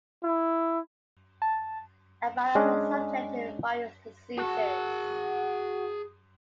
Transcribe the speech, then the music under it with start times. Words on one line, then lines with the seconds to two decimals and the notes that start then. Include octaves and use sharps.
Abalones are subject to various diseases.
0.23 E4
1.42 A5
2.55 G#3 C#4 D4 G#4
4.38 F#4 G#4 A5